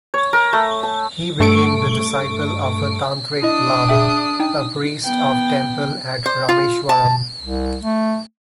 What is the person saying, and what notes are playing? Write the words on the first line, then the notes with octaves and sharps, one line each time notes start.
He became the disciple of a Tantric lama, a priest of temple at Rameswaram.
C#5
A#4
A3
A5
G2 A3 A4 C#6 D7
D4 E4 D#5 D#6
G#4 E5 G5
D#4 G5
B3 G5
C5
F4
A5
C2
A3